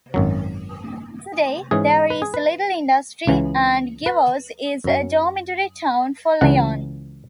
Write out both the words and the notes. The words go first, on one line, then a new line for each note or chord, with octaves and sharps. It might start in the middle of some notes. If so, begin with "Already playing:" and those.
Today there is little industry and Givors is a dormitory town for Lyon.
G#1 F#2 F#3
G#2 E3 C#4 G#4
B4
G#4
B4
C#2 C#3 E3
B4
F#2 F#3 C#4
C#2 C#3 E3 F#5